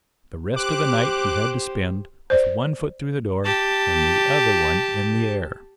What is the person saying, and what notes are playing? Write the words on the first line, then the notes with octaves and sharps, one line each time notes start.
The rest of the night he had to spend with one foot through the door and the other one in the air.
G4 C5 D6 F#6
C5 D5
G4 A5